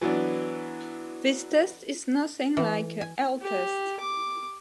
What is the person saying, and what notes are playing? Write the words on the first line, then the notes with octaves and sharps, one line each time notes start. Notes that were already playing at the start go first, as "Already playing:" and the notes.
The test is nothing like an L-test.
E3 F#3 B3 D4
E3
G#5
G4
D6